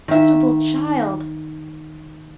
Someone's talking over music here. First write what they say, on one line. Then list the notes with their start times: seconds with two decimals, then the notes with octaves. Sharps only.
Miserable child!
0.08 D#3 E5